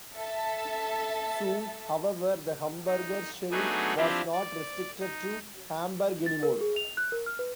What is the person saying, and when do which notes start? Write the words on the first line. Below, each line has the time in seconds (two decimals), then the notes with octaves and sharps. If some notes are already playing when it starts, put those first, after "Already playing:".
Soon, however, the "Hamburger Schule" was not restricted to Hamburg anymore.
0.16 A4 E5 A5
2.86 D#4
3.51 F#3 A3 B3 D4 D#4 G#4
3.97 F3 C4 D4 E4 F4 G4
4.33 D5
5.00 D#4
6.26 A6
6.43 A#4
6.61 G#4
6.76 F7
6.97 F#6
7.12 A#4
7.26 F6
7.39 B4